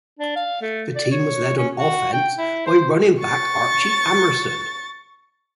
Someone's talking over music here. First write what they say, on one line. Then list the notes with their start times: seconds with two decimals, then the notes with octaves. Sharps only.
The team was led on offense by running back Archie Amerson.
0.19 D4
0.35 F5
0.62 A3
0.95 D5
1.11 C#5
1.57 C#4
1.76 F#4
2.13 G5
2.38 E4
2.66 C5
3.19 C#6 A6